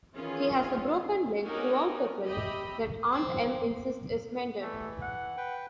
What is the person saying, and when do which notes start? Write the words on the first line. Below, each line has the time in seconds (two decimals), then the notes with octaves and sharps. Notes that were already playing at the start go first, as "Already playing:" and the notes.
He has a broken leg throughout the film that Aunt Em insists is mended.
0.15 D#3 E3 C#4 F4 G#4
1.45 B3 C#4 D#4 F#4 G4 A#4
2.26 G4 D#5 E5 B5
3.12 C4
4.61 E3 A3
5.01 F#5
5.37 B4 G5